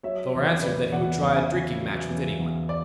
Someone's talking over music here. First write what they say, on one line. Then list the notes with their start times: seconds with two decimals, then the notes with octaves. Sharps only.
Thor answered that he would try a drinking-match with any one.
0.03 F#3 C#5 E5
0.34 E2
0.62 C#3 B4 D5
0.92 E2 D5 F#5
1.22 E2
1.36 E5 G#5
1.51 C#3
1.81 F#3
2.10 E2
2.39 E2
2.69 D5